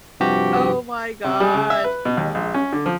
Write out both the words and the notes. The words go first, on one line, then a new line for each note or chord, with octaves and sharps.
Oh, my gosh, no.
G2 C3 F3 F#4 G4
C3
G3
C#3
E5
B4
B2
D#2
A#1
C#4
D3
F3